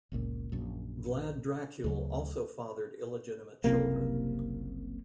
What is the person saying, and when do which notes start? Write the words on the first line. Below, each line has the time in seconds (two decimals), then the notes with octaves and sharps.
Vlad Dracul also fathered illegitimate children.
0.12 G1 C#2 A#2
0.52 A#1 F#2
1.84 D2 C#3 F#3
3.64 F#1 C2 C3 A#3